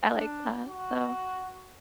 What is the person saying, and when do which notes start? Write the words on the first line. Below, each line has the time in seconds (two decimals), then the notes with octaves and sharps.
I like that, so
0.13 D4
0.68 F#4